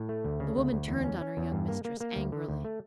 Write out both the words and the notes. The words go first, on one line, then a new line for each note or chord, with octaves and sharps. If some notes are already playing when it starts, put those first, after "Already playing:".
The woman turned on her young mistress angrily.
Already playing: A2
A3
D2
C#3
D2
D2
E2
C#4
C#4
E2
G2
A#3
A#3
A#3
D2
D3
D2
A3